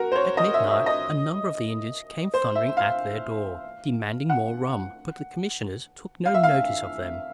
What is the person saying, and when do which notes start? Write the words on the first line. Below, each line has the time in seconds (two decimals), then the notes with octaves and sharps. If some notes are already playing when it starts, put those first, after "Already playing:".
At midnight, a number of the Indians came thundering at their door, demanding more rum; but the commissioners took no notice of them.
Already playing: F#4 A#4
0.12 C5
0.16 C#5
0.37 D#5
0.54 E5
0.70 E5
0.86 D#5
2.34 C5
2.55 E5
2.77 F5
4.30 F#5
6.26 F5
6.34 E5
6.43 F5